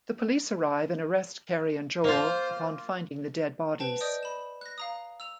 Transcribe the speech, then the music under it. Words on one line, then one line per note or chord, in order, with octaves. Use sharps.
The police arrive and arrest Carrie and Joel upon finding the dead bodies.
A#3 F4 C5
B4 C5 G5 A5
D5 D#5 D#6 G6 D7
B5 E7
F#6 A#6
F5 A#5 D#6
E6 F7